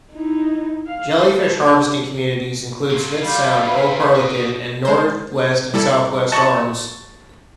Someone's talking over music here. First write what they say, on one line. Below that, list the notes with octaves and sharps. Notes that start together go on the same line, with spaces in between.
Jellyfish harvesting communities include Smith Sound, Old Perlican, and Northwest and Southwest Arms.
D#4 E4
F5
A3
D4
F#3 F4
G3 F5 B5
B4 E5
F#4 D#5
G#3 C5
G3 E4 A4
D#5 A5 C#6 F#6 C#7